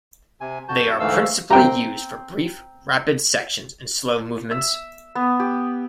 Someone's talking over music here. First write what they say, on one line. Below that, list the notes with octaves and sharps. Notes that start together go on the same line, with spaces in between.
They are principally used for brief, rapid sections in slow movements.
C3 G#5
F2 F#4 A5 G6
D2 G#2 E3 A3 F5 E6
C4 G5 A#5
E5
B3
G4